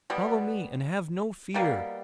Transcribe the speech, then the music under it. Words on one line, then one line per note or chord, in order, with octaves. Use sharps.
"Follow me and have no fear."
B2 G3 B3
B2 G3 A#3